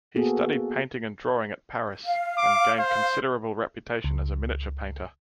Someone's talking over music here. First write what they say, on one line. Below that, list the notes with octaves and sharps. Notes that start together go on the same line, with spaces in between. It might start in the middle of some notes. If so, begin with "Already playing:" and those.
He studied painting and drawing at Paris, and gained considerable reputation as a miniature-painter.
A#3 B3 F#4 G#4 A4
F5
D6
C5
C#2